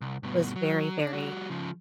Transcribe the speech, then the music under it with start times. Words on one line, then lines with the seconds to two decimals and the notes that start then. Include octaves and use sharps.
was very, very
0.01 C2
0.23 G2 B2
0.56 F#3
0.99 D4
1.13 G3 F#4
1.50 C#3 F3